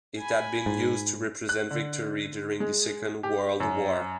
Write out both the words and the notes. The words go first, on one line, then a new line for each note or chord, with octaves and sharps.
It had been used to represent victory during the Second World War.
G#5 B5
G#2
F#6
D3
G#3
G4
F#2